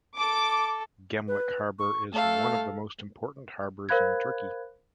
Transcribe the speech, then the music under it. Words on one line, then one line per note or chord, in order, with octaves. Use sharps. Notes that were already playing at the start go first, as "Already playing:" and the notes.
Gemlik harbor is one of the most important harbors in Turkey.
A4 D6
B4
C#6
A3 A4 F5
A#4 C5 F5 B5 F#6 G#6